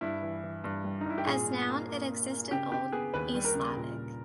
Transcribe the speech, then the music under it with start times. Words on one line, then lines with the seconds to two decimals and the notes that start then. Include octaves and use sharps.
As noun it exists in Old East Slavic.
0.01 G2 E4
0.22 E3
0.43 E3
0.64 G2
0.84 G3
1.01 D#4
1.05 G2 E4
1.18 G4
1.26 A#2 G#4
1.47 A#2
1.68 A#3
1.89 A#3
2.10 A#3
2.31 A#3
2.51 C#3 G4
2.72 C#3 G4
2.92 B3 G#4
3.13 D#2 B4
3.35 G3
3.45 A#4
3.55 C#3
3.76 A#2
3.97 A#2